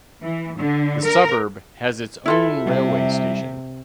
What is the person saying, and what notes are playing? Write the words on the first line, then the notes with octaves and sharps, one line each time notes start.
The suburb has its own railway station.
E3
D3
A#4
E4 F4 A4 E5
C3 G3